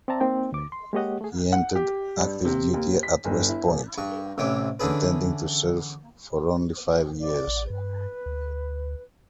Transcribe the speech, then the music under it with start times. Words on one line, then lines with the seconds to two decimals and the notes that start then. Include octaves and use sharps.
He entered active duty at West Point, intending to serve for only five years.
0.08 C4 D5 E5 A5 A#5
0.20 A#3 C4 D#4 G5
0.52 D2 D6
0.72 C6
0.93 G#3 A#3 G4 C#5 D#5 F#5
1.21 A3 G#4
1.52 F#5
1.75 G4
2.17 G2
2.45 C3
2.74 D#2
3.03 B6
3.25 G1
3.48 E4
3.67 D#1
3.98 G2 C#6
4.38 A1 C3 E3 C#5 D6
4.80 D3 E3 C#4 D4 G#4 B4
7.19 D5
7.48 A1
7.70 G2 B4
8.26 D2